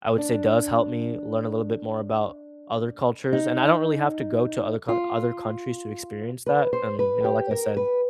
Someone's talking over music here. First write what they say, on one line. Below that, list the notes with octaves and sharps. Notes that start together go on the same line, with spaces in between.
I would say does help me learn a little bit more about other cultures, and I don't really have to go to other count other countries to experience that, and, you know, like I said,
D4
D#4
F4
B4
C5
B4
G4
A#4
B4